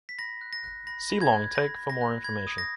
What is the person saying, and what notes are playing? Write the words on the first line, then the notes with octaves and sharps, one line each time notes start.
See Long take for more information.
B6
B5 A#6
F#6
A#6
F#6
B5 A#6
B5
G#6
F#6
B5 A#6
B5
A#6
F#6
B5 G#6
D#6
A#6